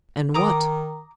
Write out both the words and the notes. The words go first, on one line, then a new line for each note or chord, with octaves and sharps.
"And what?"
D#3 A#5 D6 D#6